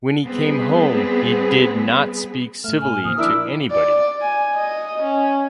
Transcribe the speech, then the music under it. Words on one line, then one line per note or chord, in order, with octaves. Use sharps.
When he came home he did not speak civilly to anybody.
G3 B3 C4 G#4 B4
A2 A3 F6
G#5
A#2 D#3 F3 D#6
F3 D4 E4 A#4 D6 E6
D5
G#5
D#5
C#4